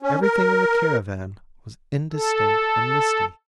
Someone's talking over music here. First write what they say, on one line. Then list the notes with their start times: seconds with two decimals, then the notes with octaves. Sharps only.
Everything in the caravan was indistinct and misty.
0.02 C#4
0.22 A#4
2.13 A4